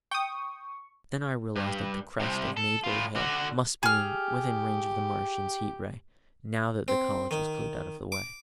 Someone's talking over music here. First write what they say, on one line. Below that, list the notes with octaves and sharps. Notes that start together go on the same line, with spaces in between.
Then I realised that the crest of Maybury Hill must be within range of the Martians' Heat-Ray now that the college was cleared out of the way.
G5 C#6 D#6
G2
C2 C3
A4
A2 F4
D3 F#4
G4 G#4 F6
C4
D#3
D6